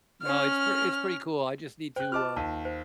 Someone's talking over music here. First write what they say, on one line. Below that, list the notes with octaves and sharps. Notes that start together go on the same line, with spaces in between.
No, it's p it's pretty cool, I just need to, uh,
C#4 F6
C5 G5 F#6
F4 D#5 A5 D6 F6
D#2 A5
C5